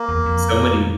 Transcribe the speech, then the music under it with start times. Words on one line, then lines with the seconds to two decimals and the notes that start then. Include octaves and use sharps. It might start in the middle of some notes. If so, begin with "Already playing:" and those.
so many
Already playing: A#3
0.09 E2
0.26 F2